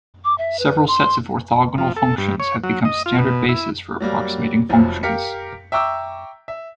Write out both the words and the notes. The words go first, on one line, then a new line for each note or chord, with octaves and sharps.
Several sets of orthogonal functions have become standard bases for approximating functions.
D6
E5
B4
C6
F3
A4
G2
C#5
F#3
D#5
F4
B2
E4
F#3 G3 A#3
F1 F2 F3 F#3
G4 A#4 F5 B6 C#7
E5 G5 A#5 C#6 D6 E6
E5